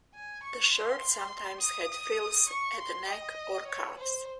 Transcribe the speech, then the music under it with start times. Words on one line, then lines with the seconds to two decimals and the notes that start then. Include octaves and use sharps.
The shirt sometimes had frills at the neck or cuffs.
0.15 G#5
0.43 C#6
0.73 C6
1.61 D#6
2.49 C#6
2.80 C6
3.09 D#5
3.67 C#5
3.97 C5